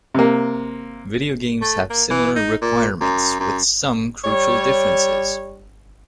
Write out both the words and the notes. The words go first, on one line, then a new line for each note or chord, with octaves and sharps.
Video games have similar requirements, with some crucial differences.
C3 A#3
A3
A#3
E3
D#4
A#2
F#2
F#2
G3 C#5